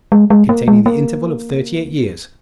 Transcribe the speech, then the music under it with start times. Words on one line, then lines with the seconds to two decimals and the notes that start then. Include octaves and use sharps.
Containing The Interval Of Thirty-Eight Years.
0.12 G#3
0.30 G#3
0.49 A#3
0.68 G#3
0.86 A#3